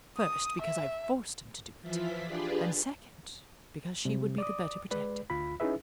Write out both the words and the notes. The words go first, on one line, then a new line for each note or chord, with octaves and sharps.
First, because I forced him to do it; and, second, because she would be the better protected.
D#6
E5
E3 F3 E4 F4 B6
D4 F4 G4 G#4 B4 D5
C3 G3
D5 D6 D#6
G#3 B4 D5
D2 F4 B5
C#4 D#4 E4 G#4 B4 E5